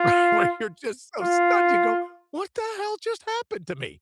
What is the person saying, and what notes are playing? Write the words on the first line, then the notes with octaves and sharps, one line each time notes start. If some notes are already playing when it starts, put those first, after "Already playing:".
Right, where you're just so stunned, you go, "What the hell just happened to me?"
Already playing: F4
F4